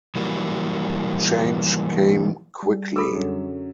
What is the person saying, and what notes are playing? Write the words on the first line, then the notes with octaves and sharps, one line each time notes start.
Change came quickly.
E3 F#3 G3 A#3
G3
G#4 A4 B5 E6
F#2 D3 F#3